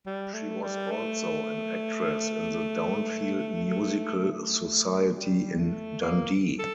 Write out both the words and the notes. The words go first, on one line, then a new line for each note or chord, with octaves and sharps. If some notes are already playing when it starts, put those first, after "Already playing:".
She was also an actress in the Downfield Musical Society in Dundee.
G3
A3
G3
A3
A3
G3
A3
A#3
A4